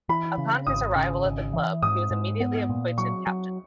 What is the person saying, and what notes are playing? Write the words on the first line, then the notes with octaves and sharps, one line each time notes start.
Upon his arrival at the club, he was immediately appointed captain.
E3 B5
C#3
G#1 D#6
C#3
G#1
E3
G#2 D#6
G#2
B3
A#2
F#3 C#6
F#3